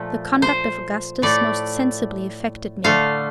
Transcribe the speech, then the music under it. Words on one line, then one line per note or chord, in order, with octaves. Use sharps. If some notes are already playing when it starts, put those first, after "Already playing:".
The conduct of Augustus most sensibly affected me.
Already playing: A#2 F3 A3
C5
A2 A3 D5
D3 A3 F5